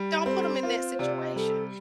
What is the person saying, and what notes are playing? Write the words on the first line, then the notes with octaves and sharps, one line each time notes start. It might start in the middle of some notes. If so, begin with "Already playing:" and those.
don't put them in that situation,
Already playing: G3
G4
C4 A4
F4 A#4
C5
C5
C3 D5
D#5
G3 A4